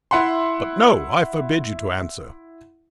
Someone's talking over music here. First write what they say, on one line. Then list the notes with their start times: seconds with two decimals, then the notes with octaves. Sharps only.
But no. I forbid you to answer.
0.11 E4 E5 F#5 B5 C6